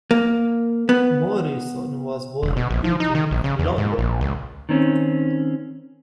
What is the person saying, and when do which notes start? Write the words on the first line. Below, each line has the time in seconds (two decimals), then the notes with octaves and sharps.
Morrison was born in Tooting, London.
0.11 A#3
0.89 B3
2.43 E1
2.56 B2
2.71 A#1
2.84 F3
3.00 D#4
3.15 D#3
3.31 A#1
3.44 C#3
3.59 E2
3.78 G#2
3.98 A#1
4.21 C#2
4.69 D#3 C4 C#4